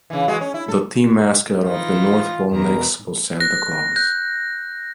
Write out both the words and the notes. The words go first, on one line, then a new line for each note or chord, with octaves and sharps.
The team mascot for the North Pole Nicks was Santa Claus.
C#3 E3
E3 G#3 F#4
C#4
E4
A4
E3 D#4 F4 A#6
E2 B2 A#4 A#5
F#6 A#6
F#6 G6